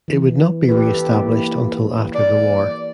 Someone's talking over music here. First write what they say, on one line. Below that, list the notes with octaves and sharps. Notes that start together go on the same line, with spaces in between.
It would not be reestablished until after the war.
E3
G4 A4 B4
A#3 E4
D5